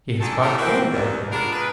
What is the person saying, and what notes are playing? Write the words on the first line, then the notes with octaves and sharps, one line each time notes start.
"He has caught cold, I think?"
D3 D#3 G#4 A4
A2 D#3 G3 A3 A#4
E3 A#3 C4 F#4
D#2
G#3 B3 D4 F4 A#4
D2 G#3 B4